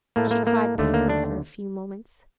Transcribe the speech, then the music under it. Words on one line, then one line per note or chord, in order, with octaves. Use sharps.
She cried pitifully for a few moments.
A2 A3 A#3
A#3
A#3
D#2 D3 A3
A#3
D4